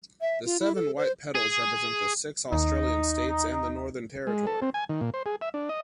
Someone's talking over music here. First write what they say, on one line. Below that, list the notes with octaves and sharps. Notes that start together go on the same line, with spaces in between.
The seven white petals represent the six Australian States and the Northern Territory.
E5
F4
E4
A4
C5
G#4
D#2 D#4
G#3
A4
C4
G#5
D#3
A#2
C5
G#4
E5
D4
D#5